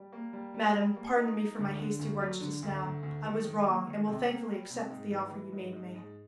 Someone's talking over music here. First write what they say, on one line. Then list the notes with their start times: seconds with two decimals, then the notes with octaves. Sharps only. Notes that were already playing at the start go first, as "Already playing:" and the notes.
'Madam, pardon me for my hasty words just now; I was wrong, and will thankfully accept the offer you made me.'
Already playing: G3
0.12 A#3
0.33 G3
0.54 G3
0.75 G3
0.96 A#3
1.17 D#4
1.37 D#4
1.59 D2
1.79 D3
1.99 D2
2.20 F#3
2.41 D3
2.62 D2
2.82 D2
3.03 D2
3.24 D#3
3.45 D#3
3.65 A#3
3.87 D#3
4.07 C3
4.28 A#3
4.48 G3
4.70 C3
4.90 G#2
5.12 E3
5.31 E3
5.52 G#2
5.73 G#2
5.95 G#2